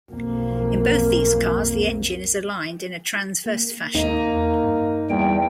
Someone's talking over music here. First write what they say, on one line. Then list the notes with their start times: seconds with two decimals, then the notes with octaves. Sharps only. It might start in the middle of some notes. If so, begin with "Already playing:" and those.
In both these cars the engine is aligned in a transverse fashion.
0.11 B1 F2 A#3
3.46 A#3
3.95 D#2 A#3 D#4
4.29 E2
4.64 G2
5.10 E2 G3 A#3 G5